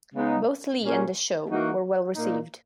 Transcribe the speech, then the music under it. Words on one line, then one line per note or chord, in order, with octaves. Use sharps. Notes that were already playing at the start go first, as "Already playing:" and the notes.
Both Lee and the show were well received.
C#3 G#3 B3 D#4
A#2 A#3 C#4 G#4
E3 A#3 D#4 F#4
A#2 A#3 D#4